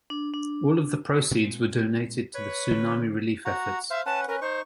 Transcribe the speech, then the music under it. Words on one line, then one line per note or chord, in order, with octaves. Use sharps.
All of the proceeds were donated to the tsunami relief efforts.
D4
D4
A#2 G#3 C4
B4 C#5
D3 E3 C#4
F#4 F#5 A#5
C5 E5 F5
C#4 B4 F#5 A5
C#4 A#4 B4
D#4 C5 C#6